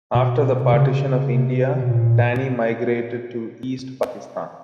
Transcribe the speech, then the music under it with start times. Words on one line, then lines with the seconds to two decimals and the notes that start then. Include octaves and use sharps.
After the Partition of India, Dani migrated to East Pakistan.
0.15 B2
0.62 C3
0.74 C#3
1.32 C3
1.82 B2
1.90 A#2